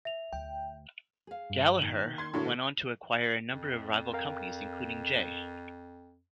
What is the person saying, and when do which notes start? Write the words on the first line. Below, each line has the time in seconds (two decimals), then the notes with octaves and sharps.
Gallaher went on to acquire a number of rival companies including J.
0.05 E5 F7
0.33 D2 G5
1.27 G#4 F5
1.50 G2 D7
1.81 D#3 A#3 D#4
2.18 C6 G#6
2.34 A2 D3 A#3 E4 F#4 A4
3.52 F2
4.14 A#4 F5 G5